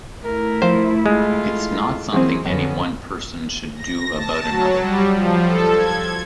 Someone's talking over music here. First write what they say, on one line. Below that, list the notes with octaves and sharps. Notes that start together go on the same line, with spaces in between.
It's not something any one person should do about another.
A3 E4 A#4
F3 C5
G#3 F4 A4
E3 F#3 A#3 C4 G#4
F2 D3 F#3 B3 C#4
A#6
A5
F#3
G3
F3
A4
G#6